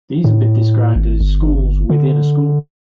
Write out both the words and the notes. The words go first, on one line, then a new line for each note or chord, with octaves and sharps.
These have been described as 'schools within a school'.
A2
G#1
G1
D3